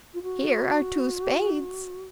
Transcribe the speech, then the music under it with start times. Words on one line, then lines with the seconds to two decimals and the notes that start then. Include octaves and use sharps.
Here are two spades.
0.14 F4
0.23 F#4